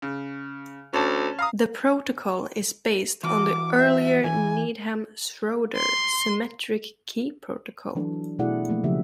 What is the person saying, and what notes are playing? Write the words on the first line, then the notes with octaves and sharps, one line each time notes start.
The protocol is based on the earlier Needham-Schroeder symmetric key protocol.
C#3
D2 C#4 A5
F5 A#5 D#6
E3 F4 F#4 D6
E5
E3 G#5
C6
E3 F#3 D4 A4
B2 A3 E4 G#4 D5 F#5
F3 A3 A#3
C#3 F3 F#3 G4 E5